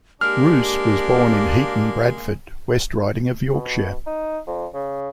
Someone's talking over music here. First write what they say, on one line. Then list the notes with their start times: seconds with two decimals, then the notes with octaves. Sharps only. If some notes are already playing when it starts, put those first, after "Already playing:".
Rouse was born in Heaton, Bradford, West Riding of Yorkshire.
0.21 G#3 A#3 D4 G4 F6
3.52 B2
4.07 D#4
4.47 F2
4.74 C#3